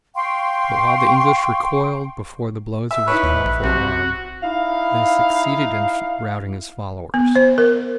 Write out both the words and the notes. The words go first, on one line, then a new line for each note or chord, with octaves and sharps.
But while the English recoiled before the blows of his powerful arm, they succeeded in routing his followers.
F5 G5 C6 C#6
E5
D#4 E4 B4 C#5
D#2
A#1
B1 C3 F#4
D#4 E4 F5
B3
C5
A#4